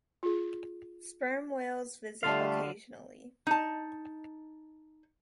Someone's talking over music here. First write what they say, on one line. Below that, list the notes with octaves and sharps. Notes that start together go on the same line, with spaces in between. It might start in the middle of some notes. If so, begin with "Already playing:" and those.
Sperm whales visit occasionally.
F4 G#4
D3 G3 A3 F4 E5 F5 A5
D#4 A5